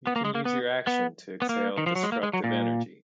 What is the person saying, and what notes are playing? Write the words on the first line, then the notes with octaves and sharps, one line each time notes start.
You can use your action to exhale destructive energy.
B3
A#3
G#3
A#3
B3
B3
B3
A#3
D#3
F3
F#3
G#3
A#3
G#3
F#3
A#2